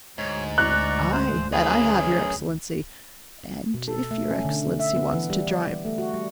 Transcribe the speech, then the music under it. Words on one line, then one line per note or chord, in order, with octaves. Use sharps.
"Aye! that I have, your Excellency, and if your Excellency wants to drive . . ."
D2 G#2 C#5
D5 A#5 C#6 F#6
C5
F#2 G#4 B4
B2
A4
A3
C#4
D3
E5
B3
E3
G3
A3
F#4
G3